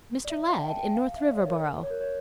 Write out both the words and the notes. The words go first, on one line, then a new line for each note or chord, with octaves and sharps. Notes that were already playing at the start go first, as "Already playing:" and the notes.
"Mr. Ladd, in North Riverboro."
D5
E5
G5
A5
G5
F5
E5
D5
C#5
A#4
C#5
A#4
C#5